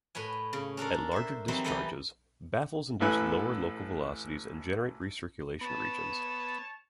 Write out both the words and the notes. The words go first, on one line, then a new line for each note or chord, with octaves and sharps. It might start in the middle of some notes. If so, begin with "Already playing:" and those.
At larger discharges, baffles induce lower local velocities and generate recirculation regions.
A2 B4 C#5 G#5
C#3
C#4 D4 A4 A#4
C5 E5
E3 F#3 G3 C4 D#4 F#4
E3 G3 B3 G4 A4 D#5
A1 A2 A4 B4 G#5 F#6
B3 C#5 A5